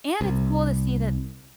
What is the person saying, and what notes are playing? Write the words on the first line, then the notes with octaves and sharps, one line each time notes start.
And it's cool to see that
C2